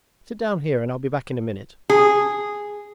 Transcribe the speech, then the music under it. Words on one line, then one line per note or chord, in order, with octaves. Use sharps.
'Sit down here and I'll be back in a minute.
G#4